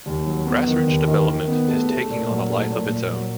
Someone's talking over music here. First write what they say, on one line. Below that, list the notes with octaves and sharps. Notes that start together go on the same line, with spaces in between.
Grassroots development is taking on a life of its own.
D#2
F#3
B3
D#3
D#2
D#3
D#3
B3
A3
A3
A#2
F#3
A3
A#2
A#2
F#3